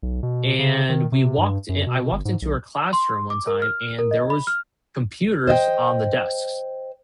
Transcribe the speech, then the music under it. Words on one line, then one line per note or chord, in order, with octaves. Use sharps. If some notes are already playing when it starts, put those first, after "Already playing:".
and we walked in I walked into her classroom one time and there was computers on the desks;
B1
B2
C#3
D#3
C3
G2
F#2
B2
G1
G#2
B1
C6
D6
A#4
F6
A#4
D#5
B5
F6
C5 D#5 E5 G5